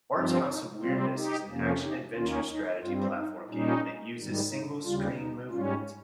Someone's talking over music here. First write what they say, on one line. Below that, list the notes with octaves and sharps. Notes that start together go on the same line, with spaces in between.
"Bart's House of Weirdness" is an action-adventure-strategy platform game that uses single-screen movement.
G2 F3 C4 D#4 G4
D#4
C3 G3 C4 F4
D#4 G4
F2 C3 F3 A#3 C#4
D#4 G4
D#2 D#3 A#3 C#4 F4
D#4
G2 G3 C4 F4
D#4
A#2 G3 C#4 D#4
G#2 D#3 G3
D#4
D#2 C#3 G3 F4
D#4
G#2 G3 C#4 F4